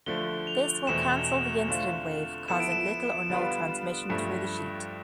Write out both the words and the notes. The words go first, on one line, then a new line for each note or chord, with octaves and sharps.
This will cancel the incident wave causing little or no transmission through the sheet.
D3 F3 A3 G7
F7
E2 B2 A3 C4 E7
D3 A3 C4 F4
F3 B3 E4 A4 E7
D7
E7
D3 G3 B3 F4 B4
G2 F3 A3